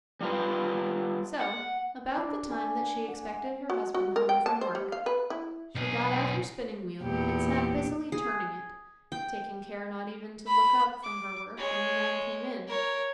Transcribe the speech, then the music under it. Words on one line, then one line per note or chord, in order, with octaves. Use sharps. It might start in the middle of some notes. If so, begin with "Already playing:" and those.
So, about the time that she expected her husband home from work, she got out her spinning-wheel, and sat busily turning it, taking care not even to look up from her work when the man came in.
G3 F4 B4
F#5
D4
G#5
F#5
F#4
F#4
A#4
G5
A5
C5
G3
F5
B4
E4
B1 G#4
E2 A#2 G4
G#4
G5
B5
D6
G#3 C#5
A#4 C#5